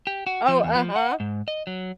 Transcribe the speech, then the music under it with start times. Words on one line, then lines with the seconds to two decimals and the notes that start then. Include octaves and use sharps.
Oh, uh-huh.
0.07 G4
0.27 F#4
0.48 F3
0.64 E2
0.76 F3
0.96 F#5
1.20 G#2
1.48 D#5
1.67 F#3